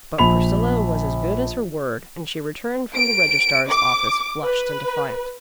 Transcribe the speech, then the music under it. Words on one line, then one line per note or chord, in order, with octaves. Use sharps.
But Priscilla was as good as her word, and she returned from the registrar's office flushed and defiant.
A#1 B5 F7
D7
D6
B4